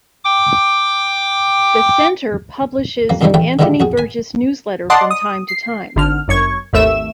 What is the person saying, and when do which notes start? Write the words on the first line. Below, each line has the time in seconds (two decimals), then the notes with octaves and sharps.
The Center publishes an "Anthony Burgess Newsletter" from time to time.
0.25 G5 D6
3.09 F2 A#3
3.21 F2 C3 D#3 F3 G3 D#4
3.34 A#1 E2 A3 G5
3.59 D3 D#3 G#3 E4 F4 G4
3.80 F2 F#4 G#4
3.98 G#5 B5
4.90 D5 D#5 F#5 A5 C6 D6
5.10 D#6
5.48 C7
5.96 G#1 D3 F6
6.28 G1 F#2 C#6 G#6
6.73 G#1 D#2 A3 E5 E7